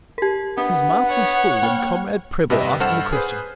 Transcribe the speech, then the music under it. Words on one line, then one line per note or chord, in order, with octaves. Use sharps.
His mouth was full when Comrade Prebble asked him a question.
G4 A#4
B3 D4
C#5 F#5
A#3 G5 F6
G2 C3 G4 B4 D#5 E5
G2 A4 C5 F#5 F6 E7
G#4 B4 C5